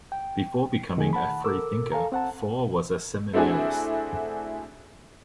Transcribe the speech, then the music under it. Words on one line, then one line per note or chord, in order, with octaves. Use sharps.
Before becoming a free-thinker, Faure was a seminarist.
G5
B2 D#3 A3 G#4 G#5
F#5 A5 B5
A4 A#4 D6 E6
A4 F5 G#5 A#5
C4 F#5 A5
A3 C4 D4 E4 F#4 G#4